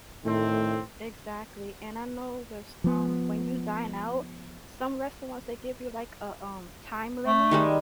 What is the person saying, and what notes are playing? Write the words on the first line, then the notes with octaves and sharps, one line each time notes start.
Exactly, and I know thas um, when you dine out, some restaurants they give you, like, a, um, time limit
A2 D#3 A3 C4
F3 B3
A3
D#3 G3 G#3